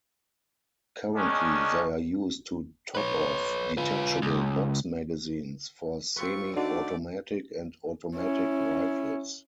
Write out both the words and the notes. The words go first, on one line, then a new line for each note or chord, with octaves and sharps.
Currently they are used to top-off detachable box magazines for semi-automatic and automatic rifles.
D#3 G#3 C#4 D4
B4 C#5
F4 B4
C#2
C4 F4 A4 B4 C#6
D3 A3 D4 D#4 F#4 D5
C#4 E4